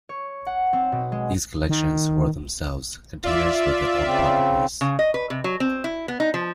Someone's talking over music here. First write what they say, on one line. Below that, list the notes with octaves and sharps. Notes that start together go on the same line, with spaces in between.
These collections were themselves containers with their own properties.
C#5
F#5
C4
B2
G#3
D#3
F4 D5 E5
C#3 C4
C#3
D#5
B4
C3
F#3
C4
E4
B3
D#4
F3